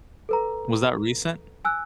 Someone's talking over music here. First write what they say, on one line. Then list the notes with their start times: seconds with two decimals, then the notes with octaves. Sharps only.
Was that recent?
0.29 A4 B4 A#5
1.65 G#5 E6 F#6